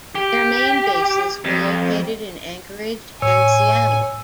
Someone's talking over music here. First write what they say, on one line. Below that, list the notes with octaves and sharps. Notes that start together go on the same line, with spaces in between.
Their main bases were located in Anchorage and Seattle.
G4
F2
A2 C#5 G#5 E6